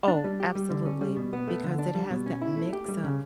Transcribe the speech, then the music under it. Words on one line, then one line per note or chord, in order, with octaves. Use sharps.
Oh, absolutely, because it has that mix of
D4
G3
G4
G3
D3
C#4
G3
B2
B3
A3
D3
D4
G3
B2
C#4
E4
A3
G4
G3
C#3